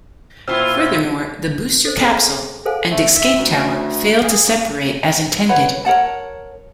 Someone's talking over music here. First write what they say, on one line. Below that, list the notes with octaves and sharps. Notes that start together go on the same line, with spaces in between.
Furthermore, the booster, capsule and escape tower failed to separate as intended.
A#2 E4 F4 C5 E6 F6
A4 C5
G#4 G#5
D6
G#4 A4 C5 F5 F#5 G#5
A3
E5
D2
G#4
A#3
B4 C#5 F#5
A#4 C#5 F#5 A5